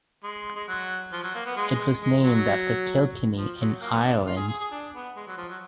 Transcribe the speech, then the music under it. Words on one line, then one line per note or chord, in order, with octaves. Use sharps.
It was named after Kilkenny in Ireland.
G#3
G#3
F#3
F3
F#3
A#3
B3
G#3
G#3
F#3
F3
F#3
A#3
B3
D4
F4
G#4
G#4
G#4
D4
B3
G#3
F#3
F3
F#3